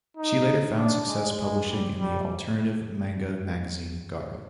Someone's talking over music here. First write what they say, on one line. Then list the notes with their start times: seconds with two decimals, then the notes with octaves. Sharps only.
She later found success publishing in the alternative manga magazine Garo.
0.17 D#4
0.77 D4
1.07 G#3
1.37 G#3
1.69 G3
1.99 G3